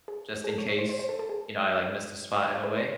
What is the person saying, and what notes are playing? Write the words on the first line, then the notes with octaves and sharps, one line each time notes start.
just in case, you know, I, like, missed a spot in a way;
G#4
G#4
A4
C#5
C#5
C5
C5
C5
A4
A4
G#4
B4
C5